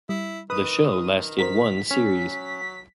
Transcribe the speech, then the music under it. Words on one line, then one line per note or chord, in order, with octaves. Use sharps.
The show lasted one series.
G3 E4
D#3 B4 D#6
F#4 A#4 C5 B6
F#3 C#4